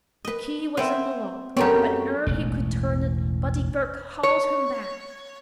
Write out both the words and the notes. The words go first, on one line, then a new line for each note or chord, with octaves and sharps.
The key was in the lock, but ere he could turn it Buddy Girk hauled him back.
B4 D#5
B3 C4 C5 E5
F#2 A3 B3 C4 G4 A#4 C#5
E1 A1
C#5